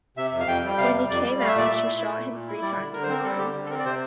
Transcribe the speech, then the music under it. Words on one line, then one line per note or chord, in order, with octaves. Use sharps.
When he came out, she shot him three times in the arm.
C3 E5
F2
F5
F2 G5
G3
G5
C3 F5
F2
F2 D5
G3
A3 F5
E5
A#2 D5
E5
A#2
E4
A3
A#2
A#2
E4
G3 D5
D3
D3 A#4
C5
C4 A#4
G3 A4
D3 G4
D3
A4
C4 A#4
D5
C3 C5